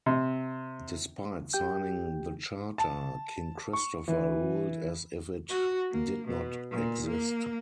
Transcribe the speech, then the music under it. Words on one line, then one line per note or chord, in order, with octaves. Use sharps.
Despite signing the charter, King Christopher ruled as if it did not exist.
C3
G4 G5 G6
A5
C#6
E3
F#4
A#3
B2
A#2
A#3